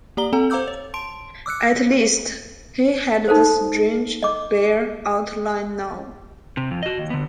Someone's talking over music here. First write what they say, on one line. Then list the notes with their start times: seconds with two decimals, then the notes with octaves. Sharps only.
At least he had the strange, bare outline now.
0.17 A#3 G4 D5 A#5 G7
0.33 C4 A4 F#5 A#5
0.50 C5 F5 A#5 D6 E6 G6
0.68 C#5
0.94 A5 C6 D7
1.46 D6 E6 F#6 C#7
3.28 D#4 A4 A#4 C5
4.23 D#5 D6
6.57 C3
6.71 F2
6.83 F#4 D#5
6.98 D#2
7.10 D3 B3